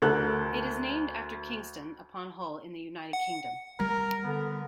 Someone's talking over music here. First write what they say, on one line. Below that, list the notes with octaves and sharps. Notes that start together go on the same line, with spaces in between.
It is named after Kingston upon Hull in the United Kingdom.
D2 A4 A#4 F#6
F#5
G3 A#4
D3 B3